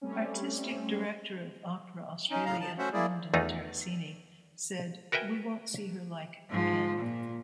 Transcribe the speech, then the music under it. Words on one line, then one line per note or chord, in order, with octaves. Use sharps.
Artistic director of Opera Australia, Lyndon Terracini, said We won't see her like again.
G3 A3 C4 C#4
C#4 D#4
A2 C#3 F5 A#5
F3 A5
A3 C#4 F#4 C5 E5 F#5
A#3 E4 G#4 D5
E2 A3 D#4 F4 G#4 A#5
F#4 A#4 B4 E5 G5 G#5
G#2 F3
A#2